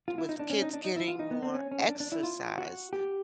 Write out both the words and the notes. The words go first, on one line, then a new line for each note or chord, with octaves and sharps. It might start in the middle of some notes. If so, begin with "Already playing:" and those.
with kids getting more exercise.
F4
E4
D#4
D4
C#4
D#4
D4
D#4
E4
F4
D#4
B3
C4
C#4
C#4
D4
D4
E4
F4
F#4
G4